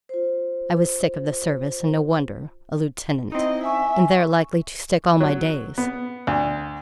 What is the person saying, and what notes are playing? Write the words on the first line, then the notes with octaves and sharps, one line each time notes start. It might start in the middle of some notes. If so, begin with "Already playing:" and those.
I was sick of the service, and no wonder: a lieutenant--and there likely to stick all my days.
F4 C5
C4 C#4 D#4 E4 D#5
E5 G#5 C#6
F#3
B3
D2